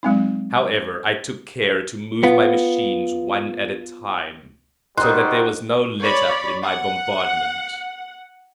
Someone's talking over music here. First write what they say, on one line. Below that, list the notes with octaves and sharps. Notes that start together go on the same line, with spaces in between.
However, I took care to move my machines, one at a time, so that there was no let-up in my bombardment.
F#3 G#3 C4 D#4
B3 F4
D#3 G3 D#4 F#4 C5 C6 D#6 F#6
C#5 D5 B5
F#5